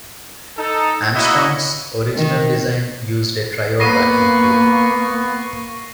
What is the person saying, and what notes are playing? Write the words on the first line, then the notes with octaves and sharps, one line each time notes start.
Armstrong's original design used a triode vacuum tube.
D#4 A4
A#3 E4 F#4 C#5 D#5 E5
D#3
A#3 B3 C#6 A#6 C7 D#7